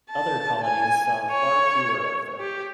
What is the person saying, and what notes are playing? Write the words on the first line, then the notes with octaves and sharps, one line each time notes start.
Other colonies saw far fewer of them.
A5
G#5
C#5
G4